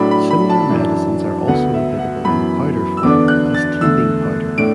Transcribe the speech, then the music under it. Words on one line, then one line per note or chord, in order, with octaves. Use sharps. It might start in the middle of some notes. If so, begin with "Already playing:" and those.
Similar medicines are also available in powder form, as "teething powder".
Already playing: A2 F#3 D4 B5
B5
B5
A5
F#2 E3 D4
D2 D3 B3 F#5
E5
F#5
F#2 E3 B3 B5
E6
E2 D3 B3 D4 D6
F#6
A6
E2 D3 A3 E6
A2 A3 D4 D7